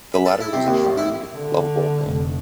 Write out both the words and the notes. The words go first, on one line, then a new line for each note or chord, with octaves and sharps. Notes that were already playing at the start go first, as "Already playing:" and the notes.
The latter was a shrewd, lovable man.
B5
A4
E4
C3
D#2
A1
E4
D3
F1